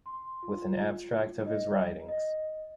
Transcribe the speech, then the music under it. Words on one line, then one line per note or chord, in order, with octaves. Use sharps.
With an abstract of his writings.
C6
F4
D#5
D#5